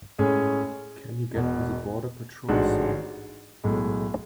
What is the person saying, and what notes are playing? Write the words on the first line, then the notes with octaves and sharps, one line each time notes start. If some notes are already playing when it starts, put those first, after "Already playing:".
Can you get me The Border Patrol song?
A2 G#3 C#4 G#4
E1 E2 B2
A1 G#2 G#3 D4 F#4
B1 A2 G#3